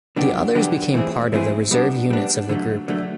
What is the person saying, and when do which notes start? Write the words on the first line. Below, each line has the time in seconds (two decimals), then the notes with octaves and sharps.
The others became part of the reserve units of the group.
0.16 D3 F#3 B3 D4 G4
0.55 D3 F#3 B3 D4 G4
0.94 E3 A3 C4 E4 G#4
1.33 E3 A3 C4 E4 G#4
1.71 G3 B3 D4
2.10 G3 B3 D4
2.49 D3 F#3 A3
2.88 D3 F#3 A3